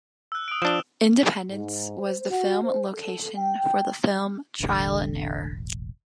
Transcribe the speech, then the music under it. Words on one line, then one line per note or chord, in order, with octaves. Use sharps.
Independence was the film location for the film "Trial and Error".
E6 F#6
D#6 D7
F3 D4 E7 G7
G#2
C5
F#4
C5
A4
G5
E1 A1 D3